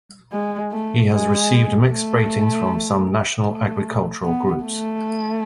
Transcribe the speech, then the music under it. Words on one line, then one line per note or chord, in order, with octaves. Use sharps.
He has received mixed ratings from some national agricultural groups.
G#3
A3
G#3
A3
A3
B3
A3